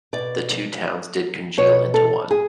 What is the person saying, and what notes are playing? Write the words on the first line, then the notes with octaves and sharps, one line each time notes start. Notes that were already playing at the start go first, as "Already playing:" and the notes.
The two towns did congeal into one.
B2 D5
B2 C#5
A4
G#4